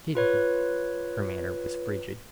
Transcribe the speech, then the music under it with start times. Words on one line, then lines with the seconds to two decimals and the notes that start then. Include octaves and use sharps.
"Did he?" Her manner was frigid.
0.15 F4 B4 C#5